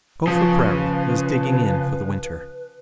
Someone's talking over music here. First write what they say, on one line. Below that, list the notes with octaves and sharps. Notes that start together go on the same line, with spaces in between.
GOPHER PRAIRIE was digging in for the winter.
C#3 F3 B4